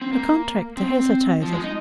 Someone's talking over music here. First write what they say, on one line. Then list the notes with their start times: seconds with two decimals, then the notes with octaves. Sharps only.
The contractor hesitated.
0.02 C4
0.12 A#3
0.77 C4
1.42 F3
1.53 G#3
1.64 D#4